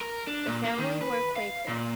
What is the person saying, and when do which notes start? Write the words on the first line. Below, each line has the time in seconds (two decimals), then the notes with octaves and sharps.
The family were Quaker.
0.01 A#4
0.27 D4
0.47 A#2
0.65 A#3
0.78 D#3
1.01 B4
1.36 F5
1.68 A#2